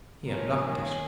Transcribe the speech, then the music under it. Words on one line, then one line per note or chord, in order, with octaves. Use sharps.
He unlocked it.
F3 G#3 C#4 A#4
D#3 F#3 A#3 C#4 G#4